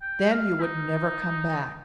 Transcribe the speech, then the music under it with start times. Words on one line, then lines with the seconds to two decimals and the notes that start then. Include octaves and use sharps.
Then you would never come back.
0.02 G5
0.32 F5
0.61 D#4